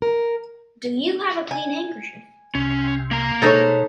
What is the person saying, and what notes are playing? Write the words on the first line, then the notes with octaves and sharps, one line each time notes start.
Do you have a clean handkerchief?
A#4
G#5
C2 C3 C#4
A#3 A#5
B2 G#3 D#4 A4 C5 C#5